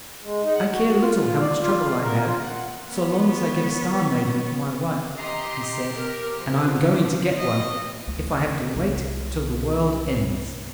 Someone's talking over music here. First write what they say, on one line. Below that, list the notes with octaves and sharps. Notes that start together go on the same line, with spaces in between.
"I care little how much trouble I have, so long as I get a Star-maiden for my wife," he said; "and I am going to get one, if I have to wait till the world ends."
G#3
D#4
F#5
F#4
F4
F4
D5
F4
A#4
F4
F#5
B3 C#5
G4 D#5 A#5 C6
A#4
F3
D#5
D2
C2 C3